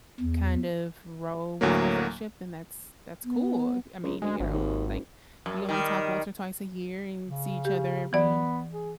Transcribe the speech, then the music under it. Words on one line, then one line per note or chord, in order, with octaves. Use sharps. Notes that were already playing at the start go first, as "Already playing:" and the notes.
kind of roll with your friendship, then that's that's cool. If, I mean, you know, like, if you only talk once or twice a year and see each other every
E2
D2 A2 F#3 A#3
B3
C#2
D2 G#3
G#1
D#2
F#1
F#2
D#3 G3
C#3
G4
E3 B3 D5
G#4